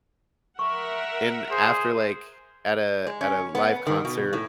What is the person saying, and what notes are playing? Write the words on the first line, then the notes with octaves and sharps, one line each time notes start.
and after, like, at a at a live concert,
A#4 E5 F#5 C6 C#6
G#4 C5
G#3
C#4
B3
D#3
B2
A2